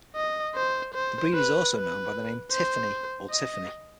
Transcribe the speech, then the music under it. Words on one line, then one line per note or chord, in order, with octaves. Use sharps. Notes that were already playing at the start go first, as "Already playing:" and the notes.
The breed is also known by the name Tiffanie or Tiffany.
D#5
C5
C5
B4
B4
C5
D#5